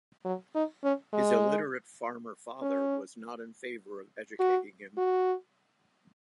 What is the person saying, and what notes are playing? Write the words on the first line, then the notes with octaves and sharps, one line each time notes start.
His illiterate farmer father was not in favor of educating him.
F#3
D#4
C#4
G#3
C#4
F#4
F#4